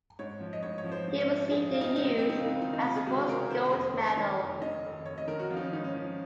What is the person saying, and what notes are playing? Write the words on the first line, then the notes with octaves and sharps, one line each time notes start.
He received the Youth and Sports gold medal.
G#2 C#5
F3
D#5
G#2 C#5
C#5
F3
C5
G#2
A#1
A#1 G#4
A#1 F4
D#4
F4
C#2 D#4
C4
C#2 C4
D#4
C#2 F4
D#4
F4
D#3 D#4
D#4
C3 F4
G#4
C#2 F#4
G#4
C3 A#4
D#3 C5
F1 G#4
F1
D#3 C#5
F1
D#3 D#5
F1
F1 C#5
D#5
D#3 A#4
F#4
F3 F4
D#4
C#4
G#1 D#4
C#4
F3